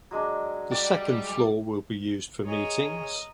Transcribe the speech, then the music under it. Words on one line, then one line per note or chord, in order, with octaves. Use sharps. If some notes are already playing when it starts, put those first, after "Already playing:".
The second floor will be used for meetings.
F#3 G#3 D4
G3 D5 G5
G#4 A#4 C#5 D#5